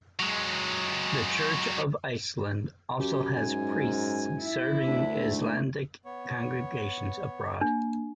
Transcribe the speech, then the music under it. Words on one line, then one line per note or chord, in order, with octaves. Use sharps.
The Church of Iceland also has priests serving Icelandic congregations abroad.
F#3 G#3
F#2 G4
G#2 G#5
E4
D2 D4
G#2 A3
B3 C#5
A#3 D4